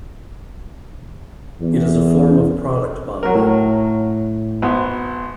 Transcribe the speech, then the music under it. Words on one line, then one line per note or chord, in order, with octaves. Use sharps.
It is a form of product bundling.
E2
F#3 A#4
A2
G#1 B3